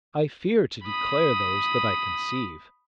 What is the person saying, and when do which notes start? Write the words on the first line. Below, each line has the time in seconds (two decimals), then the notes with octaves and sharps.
I fear to declare those that I conceive.
0.86 B5 D#6